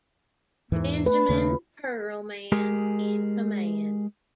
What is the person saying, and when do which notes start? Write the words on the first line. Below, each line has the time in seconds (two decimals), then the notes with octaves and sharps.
Benjamin Perlman in command.
0.72 E2 G#2 E3
1.06 A3 B4
1.29 D#2 C#3 A3
2.52 G#3 G4 G#4 A#4